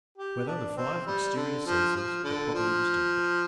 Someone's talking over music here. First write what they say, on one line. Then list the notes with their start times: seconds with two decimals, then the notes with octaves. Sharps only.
Whether the Five Exterior Senses Are Properly Distinguished?
0.18 G4
0.48 D4
0.77 C4
1.06 G3
1.36 D3
1.66 F3
1.96 F3
2.24 D3
2.54 F3